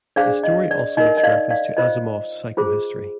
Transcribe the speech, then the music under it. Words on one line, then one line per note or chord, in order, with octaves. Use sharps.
The story also makes reference to Asimov's psychohistory.
D4 G#4 C5 D5 F5
D#5
D5
D#4 A#4 D#5
D#5
D5 F5
D5 F5
F4 C5 D#5
F4 G#4 C5